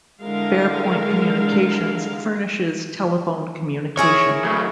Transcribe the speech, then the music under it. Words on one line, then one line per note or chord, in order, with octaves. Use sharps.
FairPoint Communications furnishes telephone communication.
D3 G#3 E4 A#4 F5
E4 G#4 A#4 C#5
F#3 A3